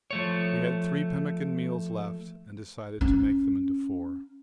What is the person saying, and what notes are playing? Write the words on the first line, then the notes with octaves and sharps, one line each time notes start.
We had three pemmican meals left and decided to make them into four.
F3 A3 C#5
C#4